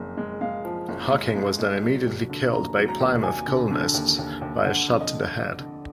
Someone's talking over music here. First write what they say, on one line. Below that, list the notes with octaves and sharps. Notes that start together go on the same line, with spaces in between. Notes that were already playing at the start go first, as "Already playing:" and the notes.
Hocking was then immediately killed by Plymouth colonists by a shot to the head.
Already playing: F#1 F2
G#3
G#3 F5
F3
F#1
G#3
G#3
G#3
F#3
D#2
D3
D#2 A#5
F#3
A#5
D#2
D#2 G#5
D3
D3
D#2
D#2
D#2
D3 F#5
F2
D#5
D3
D3 D5
D3